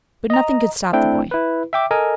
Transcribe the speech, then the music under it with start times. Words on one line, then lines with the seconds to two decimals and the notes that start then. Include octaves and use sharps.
But nothing could stop the boy.
0.30 D#5 A#5
0.93 A3 C4 D4 E4 G5
1.31 E4 B4
1.73 E5 G5 D6
1.91 A4 A#4 D#5 G#5